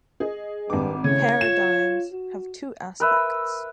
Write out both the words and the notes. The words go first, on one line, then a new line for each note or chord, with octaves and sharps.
Paradigms have two aspects.
G#4 D#5
G#1 G2 D6
A2 C#3 C#5
F4 E7
F#4
A#4 B4 E5